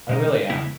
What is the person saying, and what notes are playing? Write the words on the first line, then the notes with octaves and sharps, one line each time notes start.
I really am.
B2 G#3 D#4
C#3 G#3 B3 E4